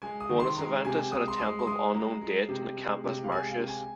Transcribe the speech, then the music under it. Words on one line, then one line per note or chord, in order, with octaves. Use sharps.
Bonus Eventus had a temple of unknown date in the Campus Martius.
G#3 G#5
D#6
D#3
C6
G#3 A#5
C3 G#5
G#3 D#6
C6
G#3 D#6
C6
G#3 D#6
G#3 A#5
G#3
C3
G#3
C3
F5
G#3 G#5
F5
C3
G#5